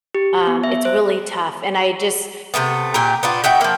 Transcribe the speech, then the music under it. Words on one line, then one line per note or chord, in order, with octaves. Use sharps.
Um, it's really tough, and I just
G4
B3
E5
C5
C3 F#3 A3 B3
A#2 G4 A#4
B3 D4 F4
D#4 F#4 E5 G5
F3 A#3